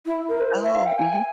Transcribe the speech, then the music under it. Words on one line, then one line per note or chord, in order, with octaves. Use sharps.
Oh, mhm.
E4
A#4
C5
E5
F5
G5
G#5